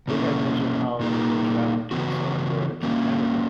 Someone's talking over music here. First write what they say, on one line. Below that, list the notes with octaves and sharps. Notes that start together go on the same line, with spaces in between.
They had mentioned how they were traveling from South Florida to Canada.
B2 A#3 C#4 E4
A#2 A#3 D#4 G#4
C#3 E3 B3 F#4
D#3 F#3 A#3 C#4